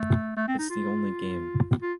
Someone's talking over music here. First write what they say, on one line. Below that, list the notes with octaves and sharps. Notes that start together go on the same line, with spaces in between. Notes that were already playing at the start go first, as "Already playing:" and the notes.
It's the only game.
Already playing: A3
A3
C4
D#4
F4
F4